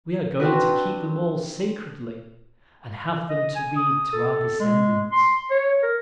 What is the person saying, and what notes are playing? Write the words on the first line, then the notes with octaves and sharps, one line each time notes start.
We are going to keep them all sacredly and have them to read to our descendants.
C4 D4 F#4 B4
D#5
G#5
D#6
A4
G#3
C6
C#5
A#4